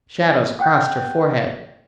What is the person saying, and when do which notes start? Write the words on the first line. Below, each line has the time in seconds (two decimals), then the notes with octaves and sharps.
Shadows crossed her forehead.
0.60 F#5 G5 F#6 G6